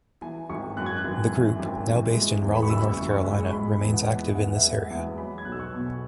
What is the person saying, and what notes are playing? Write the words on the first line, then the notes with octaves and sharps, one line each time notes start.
The group, now based in Raleigh, North Carolina, remains active in this area.
E3 G#5
G#1 C#6
F#2 F#6
G#6
F#6
G#1
E3
G#1
E3
G#3
E2
G#5
B5
C#6
F#1 E6
E3
C#6
G#3
G#3 B5
E2
F#5
E3
E2 F#5
E5
G#3
E5
F#5
E2
G#5
F#3 B5
G#6
B1 F#6
E6
C#6
B2